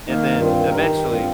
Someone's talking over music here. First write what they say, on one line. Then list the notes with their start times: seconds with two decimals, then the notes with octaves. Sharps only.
and then, eventually,
0.07 D#3 A#3 D#4
0.31 G2
0.41 C4 F4
0.53 D#3
0.69 A#4
0.75 D#3 D#4 G4
0.98 G2
1.10 C4 F4